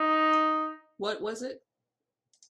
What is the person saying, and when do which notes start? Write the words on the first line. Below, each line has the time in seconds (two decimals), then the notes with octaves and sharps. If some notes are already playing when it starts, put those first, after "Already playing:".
What was it?
Already playing: D#4